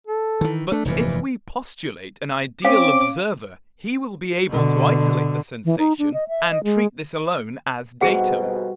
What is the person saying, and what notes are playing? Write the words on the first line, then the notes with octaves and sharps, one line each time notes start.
But if we postulate an ideal observer, he will be able to isolate the sensation, and treat this alone as datum.
A4
D#3 E3
A3 D4
F1 G2 A#2 E3
C4 C#4 F5 D6
B2 D3
E3
D#4
D4
D#5
E5
D#5
G#3
F2 G#2 B2 G3 F#4 G#4 F#5